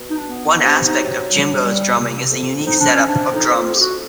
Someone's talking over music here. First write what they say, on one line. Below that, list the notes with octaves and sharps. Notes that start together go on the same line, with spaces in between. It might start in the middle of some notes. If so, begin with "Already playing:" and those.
One aspect of Jimbo's drumming is the unique setup of drums.
Already playing: B2
D#4
D4
B3
C3 D4
D#4
F#3
G3
G3
C3
F2
C4 D#4
D4
C#4
C4
D4
F2 D#4
F4
F2
G4
F#4